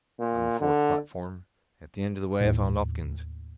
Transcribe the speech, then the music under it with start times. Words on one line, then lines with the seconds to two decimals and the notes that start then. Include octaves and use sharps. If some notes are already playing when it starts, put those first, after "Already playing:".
On the fourth platform, at the end of the way, I found Hopkins.
0.20 A#2
0.60 D3
2.41 D#2 A2